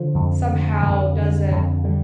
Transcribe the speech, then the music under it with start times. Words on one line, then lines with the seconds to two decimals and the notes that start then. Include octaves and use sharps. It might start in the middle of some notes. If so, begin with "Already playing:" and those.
somehow doesn't
Already playing: D3 F3
0.14 F2
0.48 D3
0.82 F2
1.16 D3
1.51 F2
1.84 D3 G3